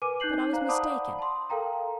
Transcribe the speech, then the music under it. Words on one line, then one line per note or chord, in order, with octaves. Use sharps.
But I was mistaken.
A#4 B4 G#5 D6 D#7
D#4 F#6 G6 C7 F#7
C5 D5 F5 A#5
D5 F#5 A5 B5 D6 D#6
A5 C6
A4 A#4 F5 G5 A#5